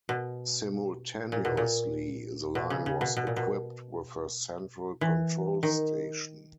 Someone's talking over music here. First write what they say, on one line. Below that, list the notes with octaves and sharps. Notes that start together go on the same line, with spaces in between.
Simultaneously, the line was equipped with a central control station.
B2
A#2
B2
A#2
B2
C#3
C#3
B2
B2
A#2
B2
E3
D#3